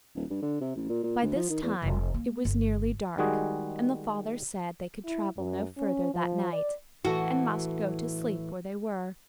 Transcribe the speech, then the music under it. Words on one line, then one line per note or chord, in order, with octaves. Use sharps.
By this time it was nearly dark, and the father said they could travel no further that night, and must go to sleep where they were.
D#1
G2
D3
C3
A1
A#2
A#2
D2
F3
D#3
E2
F1
A#3
G1
D#3 G3 G#3 F#4 G#4
E4
F#2
C#4
F3
D5
A2 E3 F#4 A4